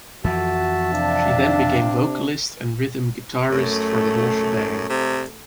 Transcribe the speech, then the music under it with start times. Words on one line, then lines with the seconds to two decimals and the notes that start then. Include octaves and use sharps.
She then became vocalist and rhythm guitarist for The Whole Shebang.
0.24 F2 E3 F3 F#4 E5 A5
0.94 C3 D4 F5
3.52 F#2 A3
4.90 C3